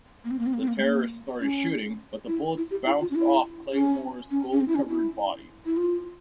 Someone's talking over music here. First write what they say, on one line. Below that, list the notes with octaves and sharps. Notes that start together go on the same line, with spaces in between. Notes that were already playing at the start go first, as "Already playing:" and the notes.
The terrorists started shooting, but the bullets bounced off Claymore's gold-covered body.
A#3
C4
A#3
C4
A#3
C4
A#3
G#3
A#3
C#4
E4
E4
G4
E4
F4
C#4
E4
C#4
C#4
C#4
C4
E4
C#4
E4
E4
F4